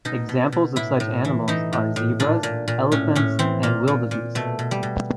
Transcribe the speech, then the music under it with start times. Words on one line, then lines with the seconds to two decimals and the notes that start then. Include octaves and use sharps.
Examples of such animals are zebras, elephants, and wildebeest.
0.05 B2 D#4
0.29 B2
0.52 B2
0.76 A2 E4
1.00 A2
1.25 E3
1.48 E3 D#4
1.73 A2
1.96 A2
2.20 A#2 D4
2.43 A#2
2.68 A#2
2.92 A2 C#4
3.15 A2 C#4
3.39 E3 C4
3.63 A#2 A#3
3.88 A#2
4.11 A#2
4.35 B2 A3
4.59 B2
4.71 G3
4.83 B2